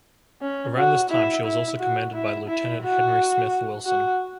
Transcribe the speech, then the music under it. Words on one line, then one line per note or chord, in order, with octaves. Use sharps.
Around this time she was also commanded by Lieutenant Henry Smith Wilson.
C#4
F#4
E4
E4
F#4
E4
E4
F#4
F#4